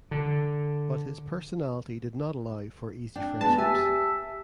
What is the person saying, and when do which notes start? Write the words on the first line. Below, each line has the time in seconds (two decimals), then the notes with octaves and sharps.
But his personality did not allow for easy friendships.
0.11 D3
3.16 D4 G5
3.41 G#3 B3 B4 A5
3.58 G4 E5 G#5